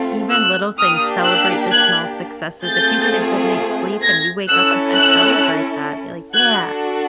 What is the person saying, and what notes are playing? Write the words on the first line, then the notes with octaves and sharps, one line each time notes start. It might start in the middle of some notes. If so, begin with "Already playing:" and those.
even little things, celebrate the small successes, if you get a good night's sleep and you wake up on time, celebrate that, be like, "Yeah"
Already playing: A3 C4 F4
E6 F#6
A#3 D4 G4 D#6 F6
E6 F#6
F#6 G#6
A3 C4 F4 G#4 G6 A6
G#6 A#6
C#4 E4 A4 E6 F#6
E6 F#6
D4 F#4 A4 F#6 G#6